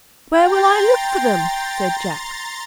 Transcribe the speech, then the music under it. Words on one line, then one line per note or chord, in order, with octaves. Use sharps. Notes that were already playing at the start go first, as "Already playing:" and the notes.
"Where will I look for them?" said Jack.
G5 A#5 C6 A6